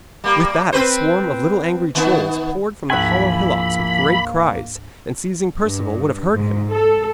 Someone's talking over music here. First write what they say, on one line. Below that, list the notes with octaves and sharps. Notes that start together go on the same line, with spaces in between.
With that a swarm of little angry trolls poured from the hollow hillocks with great cries, and seizing Perceval would have hurt him.
G3 A#3
C4 B4 C5
D#3 B3
D2 G#2 F3 A#3 E4 G#5 B5 F#6
G2
G#2
A4